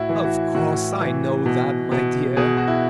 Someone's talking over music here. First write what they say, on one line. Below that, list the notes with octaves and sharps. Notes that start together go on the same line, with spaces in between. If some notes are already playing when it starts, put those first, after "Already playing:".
'Of course I know that, my dear.
Already playing: A2 E4 F#4
E3
F#4
A2 F#4
E3
B2
B2
B2 G#4
F#4
E4